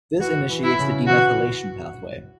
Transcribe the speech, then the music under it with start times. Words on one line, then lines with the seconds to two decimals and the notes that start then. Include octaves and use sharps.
This initiates the demethylation pathway.
0.20 E3 F#4
0.50 E3
0.64 E4
0.78 C#3
1.07 E3 F#4